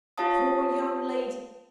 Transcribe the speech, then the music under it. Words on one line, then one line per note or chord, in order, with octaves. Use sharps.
'Poor young lady!
F4 G4 C#5 F5 A5 D#6